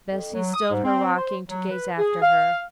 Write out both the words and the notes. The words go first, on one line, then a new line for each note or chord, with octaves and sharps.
Bessy stilled her rocking to gaze after her.
F2
F#3
D#6
G#2
C4
C5
F#3
B4
G#4
F5